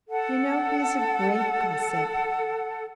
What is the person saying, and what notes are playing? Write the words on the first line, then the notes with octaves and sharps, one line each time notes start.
You know he is a great gossip.
A4 F#5